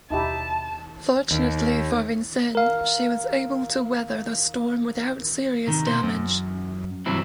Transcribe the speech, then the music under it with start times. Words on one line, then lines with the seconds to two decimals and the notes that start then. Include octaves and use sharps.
Fortunately for "Vincennes", she was able to weather the storm without serious damage.
0.10 D#2 B2 D#4 E4 G4 A5
1.31 D#2
2.55 A#4 F5
5.67 C3 D#3
5.86 B2 C5
6.03 F#2
7.06 G2 C3 E3 F#3 C4 E4